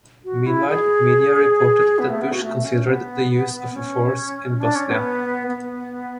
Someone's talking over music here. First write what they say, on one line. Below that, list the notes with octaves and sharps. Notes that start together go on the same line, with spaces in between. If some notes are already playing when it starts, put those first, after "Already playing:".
Meanwhile, media reported that Bush considered the use of force in Bosnia.
F#4
E4
G#4
B3
A3
B3
F#4
A3
C#4
B3
C#4
D4
C#4
B3
B3